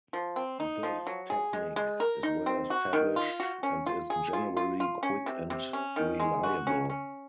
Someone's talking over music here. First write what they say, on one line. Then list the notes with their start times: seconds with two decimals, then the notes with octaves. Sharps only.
This technique is well established and is generally quick and reliable.
0.13 F3
0.36 C4
0.60 D#4
0.83 F3
1.07 F#3
1.30 G#4
1.53 G#3
1.76 G#3
2.00 A#4
2.23 D#4
2.46 C4
2.70 F#4
2.93 D#3
3.16 F4
3.40 F#4
3.63 C#4
3.86 F4
4.10 G#4
4.33 F4
4.57 F4
4.80 F4
5.03 C#4
5.26 C3
5.50 C3
5.73 C#4
5.96 D#3
6.20 G#3
6.43 F#4
6.67 C#4
6.90 C#4